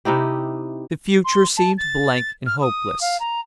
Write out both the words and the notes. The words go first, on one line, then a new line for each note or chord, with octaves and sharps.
The future seemed blank and hopeless.
C3 D#4 E4 G4
C6
A5
A6
F6
D#6
F5
A#5